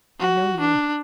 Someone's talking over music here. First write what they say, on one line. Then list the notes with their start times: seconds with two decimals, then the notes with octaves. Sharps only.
I know you.
0.19 F#4
0.60 D4